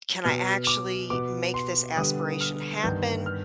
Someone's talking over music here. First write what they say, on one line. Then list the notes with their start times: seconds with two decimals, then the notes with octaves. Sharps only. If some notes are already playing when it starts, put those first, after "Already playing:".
"Can I actually make this aspiration happen,"
0.24 B2 B3 F6
0.67 D6
1.10 B2 B3 D6
1.54 C6
1.97 D3 G3 B3 D#6
2.41 F6
2.83 G2 D#3 B3 G6
3.26 F6